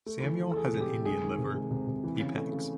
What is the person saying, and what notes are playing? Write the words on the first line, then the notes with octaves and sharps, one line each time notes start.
Samuel has an Indian liver. He pegs.
A3
E3
E3
A4
A3 G#4
C3
G4
A3
G#3 G#4
D#3
C3
G#3
C3
C3
E3
C#3
A3
C#3